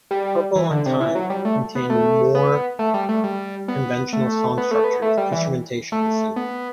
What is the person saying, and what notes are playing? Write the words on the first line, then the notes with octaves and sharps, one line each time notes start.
Purple on Time contained more conventional song structures, instrumentation and singing.
G3
E3
D3
C3
E3
F#3
G3
A3
B3
A3
B3
A3
G3
A3
G3
B3
A3
B3
A3
B3
A3
G3
E3
A3
B3